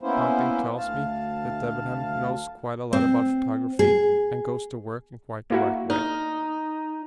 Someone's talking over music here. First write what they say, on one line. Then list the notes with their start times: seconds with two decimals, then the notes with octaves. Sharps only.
Ponting tells me that Debenham knows quite a lot about photography and goes to work in quite the right way.
0.02 A#3 B3 C#4 E4 C5
0.77 D2 F5 A5
2.93 C4
3.79 G#4
5.50 A#3 E4 F#4
5.90 D#4 F6